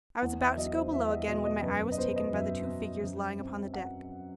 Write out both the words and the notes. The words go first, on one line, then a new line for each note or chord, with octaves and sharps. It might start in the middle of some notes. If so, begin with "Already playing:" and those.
I was about to go below again, when my eye was taken by the two figures lying upon the deck.
E2 F#5
E5
F#3 D#5
C5
E2 E5
D#5
B2 D#5
D#5
F#2 B4
B4
D#5
B3 C5
D#5
F#2 E5
F#3
F#2
C4
F#5